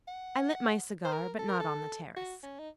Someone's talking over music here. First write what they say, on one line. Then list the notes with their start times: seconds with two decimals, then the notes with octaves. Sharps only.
I lit my cigar, but not on the terrace.
0.08 F#5
1.05 C5
1.12 A#4
1.39 A4
1.49 A#4
1.60 A4
2.16 F#4
2.43 C#4
2.59 D#4